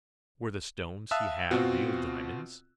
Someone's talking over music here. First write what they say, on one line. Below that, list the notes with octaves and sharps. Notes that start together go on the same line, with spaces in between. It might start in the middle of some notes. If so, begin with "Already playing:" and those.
Were the stones he had real diamonds?
E5 F5 A5 D#6 E6 F#6
B2 C4 F4 F#4